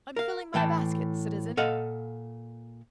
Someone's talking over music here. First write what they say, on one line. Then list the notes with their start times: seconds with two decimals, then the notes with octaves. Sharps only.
"I'm filling my basket, citizen."
0.16 A#4 F5
0.54 A2 E3 G5 A5
1.57 A#2 A4 D#5 F5 F#5